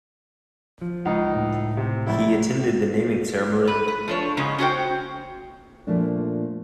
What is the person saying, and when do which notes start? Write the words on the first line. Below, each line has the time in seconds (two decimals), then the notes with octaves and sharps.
He attended the naming ceremony.
0.81 F3
1.05 C#2 D#4
1.35 A2
1.77 C3
2.07 A#1 E4
3.67 B4
3.88 B4
4.08 F3 D4 C#5
4.37 G#2 C#3 G#3 C#4
4.58 C#4 F#4 C5 G5
5.87 A#2 F3 A3 A#3 D4